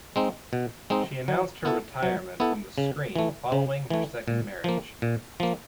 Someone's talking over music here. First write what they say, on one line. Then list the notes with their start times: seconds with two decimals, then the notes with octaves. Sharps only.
She announced her retirement from the screen following her second marriage.
0.16 G#3 C4 D#4
0.53 B2
0.90 G#3 C4 D#4
1.28 F#3
1.65 B3 E4 A4
2.03 F#3
2.40 B3 E4 A4
2.78 C#3
3.16 E3 A3
3.52 C#3
3.90 E3 A3
4.28 A#2
4.64 F3 A#3
5.02 A#2
5.40 F3 A#3